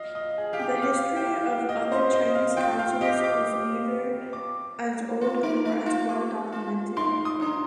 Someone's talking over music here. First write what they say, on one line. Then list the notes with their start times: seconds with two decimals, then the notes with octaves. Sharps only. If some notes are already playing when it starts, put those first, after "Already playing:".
The history of other Chinese councils is neither as old nor as well documented.
Already playing: D#5 F5
0.15 D#5
0.38 G#4
0.53 G4 F5
0.59 G5
0.82 F5
1.16 G5
1.26 F5
1.69 D#5
1.92 C5
2.13 D#5
2.35 F5
2.57 F4 G5
2.79 F5
3.01 G4 D#5
3.24 D6
4.33 D6
5.21 F4
5.43 D#4
5.65 D#4
5.86 F4
6.09 G4
6.52 F4
6.96 D#4 C6
7.25 D#6
7.41 D4